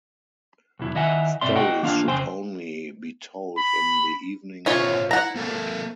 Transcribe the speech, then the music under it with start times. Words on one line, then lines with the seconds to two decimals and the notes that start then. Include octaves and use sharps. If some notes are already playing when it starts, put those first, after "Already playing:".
Stories should only be told in the evening or at night.
0.79 B1 E2 E4
0.95 D#3 E4 D#5 E5 F#5 G#5
1.41 G2 B2 C4 D5 E5 C6
1.55 F#4 G#4 D#5 F#5 G5
1.83 E3 A#3 D4 F4 F5
2.07 F2 C#3 C5 G5 G#5 C6
3.57 B5
4.66 A#2 C#4 F4 C5 C#5 E5
5.11 E4 F#5 A#5
5.35 A#3 A4 A#4